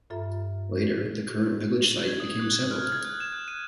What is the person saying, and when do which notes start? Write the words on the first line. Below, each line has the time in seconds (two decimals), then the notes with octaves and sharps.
Later, the current village site became settled.
0.10 G2 F4 A4 E5 A#5
2.08 G#6
2.20 D#6
2.39 F#6
2.53 G#6
2.71 F6
2.92 G#6
3.05 F#6
3.20 E7
3.32 F#6
3.48 D#7